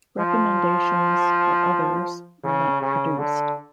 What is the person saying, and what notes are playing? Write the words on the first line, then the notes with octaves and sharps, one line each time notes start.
Recommendations for others are not produced.
F3
C#3
C#3
D3